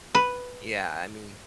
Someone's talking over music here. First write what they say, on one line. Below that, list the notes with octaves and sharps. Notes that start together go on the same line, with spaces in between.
Yeah, I mean
B4